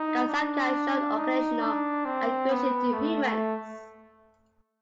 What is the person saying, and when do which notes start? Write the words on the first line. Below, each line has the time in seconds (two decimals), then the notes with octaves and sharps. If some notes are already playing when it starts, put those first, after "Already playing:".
Kasatka showed occasional aggression to humans.
Already playing: D#4
0.28 D4
1.17 D#4
1.61 D4
2.05 C4
2.50 B3
2.93 A3
3.23 A3